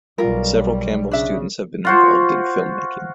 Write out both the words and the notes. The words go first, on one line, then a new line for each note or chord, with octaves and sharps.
Several Campbell students have been involved in filmmaking.
B1 G3 F4 A#4
C#3 D4 E5
F4 F#4 C5